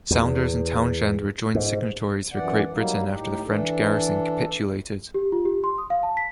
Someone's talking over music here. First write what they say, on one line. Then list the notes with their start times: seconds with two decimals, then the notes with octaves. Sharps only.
Saunders and Towshend were joint signatories for Great Britain after the French garrison capitulated.
0.11 E2
1.55 G#2
2.32 F#2 E3 D5 F#5
2.73 F#3 G3 A#3 D#4
3.11 A2 D#4 G4
3.45 E3 D4 A4
5.14 G4
5.32 F4
5.45 G4
5.64 C6
5.78 D#6
5.90 F5
6.03 A5
6.17 B6